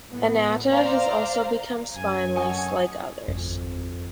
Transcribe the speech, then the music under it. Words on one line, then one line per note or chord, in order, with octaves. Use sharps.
Ananta has also become spineless like others.
A2 B3
C5 D5 F5 A#5
F#2 G#5
F#4 A4 C#5 D#5 G#5
G#1 F2